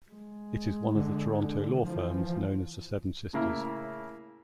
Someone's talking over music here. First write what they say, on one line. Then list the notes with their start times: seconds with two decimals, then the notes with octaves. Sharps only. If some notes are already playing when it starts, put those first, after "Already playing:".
It is one of the Toronto law firms known as the Seven Sisters.
0.11 G#3
0.95 D3
1.84 E3 F3
3.33 A2 C#3 A#3 E4